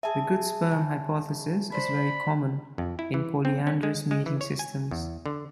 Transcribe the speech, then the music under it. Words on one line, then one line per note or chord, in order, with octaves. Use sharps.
The "good sperm hypothesis" is very common in polyandrous mating systems.
G#4 E5 G#5 A5
C#3
D4 C5 B5
F2
E4
E3
C4
C#4
G#3
G#3
E3
C#5
G#5
E2
D3